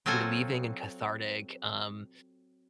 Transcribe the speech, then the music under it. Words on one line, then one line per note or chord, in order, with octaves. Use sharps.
relieving and cathartic, um,
F#3 C4 F4 A4 F#5 G#5